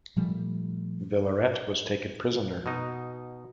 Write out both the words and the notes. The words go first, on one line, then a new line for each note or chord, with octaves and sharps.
Villaret was taken prisoner.
A#2 F3 G3 A3
B2 D#4